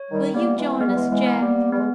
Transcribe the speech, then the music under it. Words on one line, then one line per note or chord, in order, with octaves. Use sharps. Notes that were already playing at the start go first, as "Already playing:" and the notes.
"Will you join us, Jack?"
Already playing: C#5
D#3 G3
G3 A#3 B3
E3 G#3
G#3 B3
G3
E3 G#3
E3 G#3
B3
G3 A#3
G3 B3
G#3